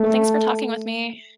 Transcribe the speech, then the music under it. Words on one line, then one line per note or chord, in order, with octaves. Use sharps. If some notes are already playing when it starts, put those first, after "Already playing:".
Well, thanks for talking with me.
Already playing: A3